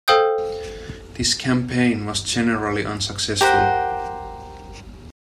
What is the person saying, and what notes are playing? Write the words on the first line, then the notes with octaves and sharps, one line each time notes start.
This campaign was generally unsuccessful.
A4 C5 F5 G5 D#6 G6
G4 A#4 C5 F#5